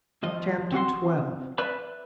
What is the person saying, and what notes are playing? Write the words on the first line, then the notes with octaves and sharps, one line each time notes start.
Chapter XII.
D#2 F3 D#5
C4 F#4 F#5 C6
B4 D5 E5 B5